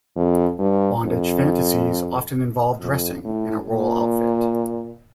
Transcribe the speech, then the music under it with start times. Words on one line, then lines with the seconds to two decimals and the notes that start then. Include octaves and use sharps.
Bondage fantasies often involve dressing in a role outfit.
0.16 F2
0.59 G2
1.04 F2
2.80 F2
3.25 A2
3.68 A#2